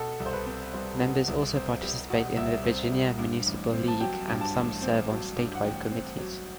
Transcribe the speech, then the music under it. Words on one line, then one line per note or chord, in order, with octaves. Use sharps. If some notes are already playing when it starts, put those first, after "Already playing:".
Members also participate in the Virginia Municipal League and some serve on statewide committees.
Already playing: B2 A4
C2
C5
B4
C4
G3 C5
B2
C2
C4
G3
B2
C2 E5
C4
G3
G2
A1
C4
A5
F#3 G5
G2
A5
A1
C4
F#3
G2
F#5
A1 G5
C4
F#3